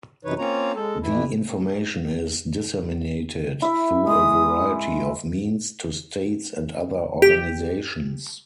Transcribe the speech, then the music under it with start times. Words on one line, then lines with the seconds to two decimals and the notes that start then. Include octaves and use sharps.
The information is disseminated through a variety of means to states and other organizations.
0.25 F#2 C3 E3 D#4 B4 C#5
0.38 A#3 C4 C#4 F4 C#5 A#5
0.75 G#3 A4
1.02 F2 E3 E4
3.62 E4 E5
4.07 G#3 D#6
7.22 G4